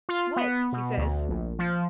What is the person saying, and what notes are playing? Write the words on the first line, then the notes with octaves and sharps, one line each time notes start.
"What?" he says.
F4
B3
B2
D2
A#1
F3